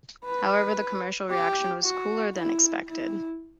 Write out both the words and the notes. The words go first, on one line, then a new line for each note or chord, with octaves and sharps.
However, the commercial reaction was cooler than expected.
B4
G4
F#4
E4
E4